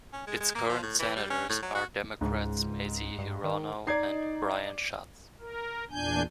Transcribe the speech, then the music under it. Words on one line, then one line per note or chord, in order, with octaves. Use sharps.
Its current senators are Democrats Mazie Hirono and Brian Schatz.
C#4
G#3
G#3
A#3
F3
A2
E3
G3
C#4
A2
F#3
F#4
C#2 G#2
G2
D#3
D#4 D5 G#6 C7
A#4
E2 A#2 D4 G#5 G6